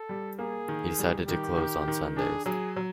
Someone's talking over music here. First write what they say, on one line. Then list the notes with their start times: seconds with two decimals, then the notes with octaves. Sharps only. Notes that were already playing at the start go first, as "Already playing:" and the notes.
He decided to close on Sundays.
Already playing: A4
0.09 G3
0.39 A#3 G#4
0.68 D#3
0.99 G3
1.28 D#3 G4
1.58 D#3
1.88 D#3
2.16 D4 G#4
2.46 F#3 G#4
2.76 F#3